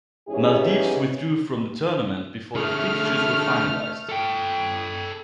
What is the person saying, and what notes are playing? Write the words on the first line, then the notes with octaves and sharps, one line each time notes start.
Maldives withdrew from the tournament before the fixtures were finalised.
E2 G#2 C#4 E4 G4 G#4
D3 A3 G#4 F6
A4 G5